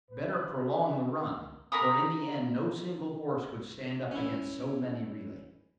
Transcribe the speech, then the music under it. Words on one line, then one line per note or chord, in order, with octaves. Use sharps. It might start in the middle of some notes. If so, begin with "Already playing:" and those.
Better prolong the run, for in the end no single horse could stand up against so many relays.
B4
A#4 A#5 B5 D#6
C#4 E4